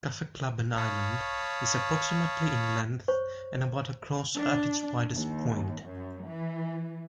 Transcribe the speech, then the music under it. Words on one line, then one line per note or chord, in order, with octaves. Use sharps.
Kaffeklubben Island is approximately in length, and about across at its widest point.
C#5 F5 A5 B5 C#6 D#6
C5 C#5 C#6
D4
D#2
F#2
E3